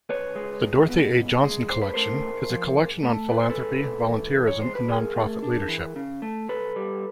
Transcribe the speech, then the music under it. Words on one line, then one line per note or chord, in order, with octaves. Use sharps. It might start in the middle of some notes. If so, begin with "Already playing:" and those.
The Dorothy A. Johnson Collection is a collection on philanthropy, volunteerism, and nonprofit leadership.
C#2 B4 C#5
G#3
C#2
B2
C#2
G#3
G#2 C5
B4
A3 A#4 C5
G#2
F3
G#2
A3
G#2 B4
C5
A4 B4
G#3
G#2
E3
G#2
C#5
G#3 C5
B4
C#3 G#4 A#4
A3
D4
E3
C#3
A3
C2 A4 B4
G3